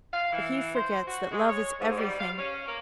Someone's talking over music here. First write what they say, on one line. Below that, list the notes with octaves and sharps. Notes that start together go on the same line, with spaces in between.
But he forgets that love is everything.
F5
E3
C5
F#4
G#3
C#5
G#2
G3
F5
C#4
A#3